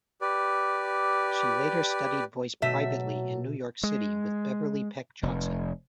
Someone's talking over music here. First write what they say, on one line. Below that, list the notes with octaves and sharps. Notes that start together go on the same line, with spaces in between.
She later studied voice privately in New York City with Beverley Peck Johnson.
G4 B4 D5
B2 F#3 A3 E5
G#3
F1